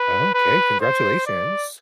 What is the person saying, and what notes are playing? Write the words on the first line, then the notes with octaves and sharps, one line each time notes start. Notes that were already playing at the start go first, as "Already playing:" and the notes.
Okay, congratulations.
Already playing: B4
B4
C5
D5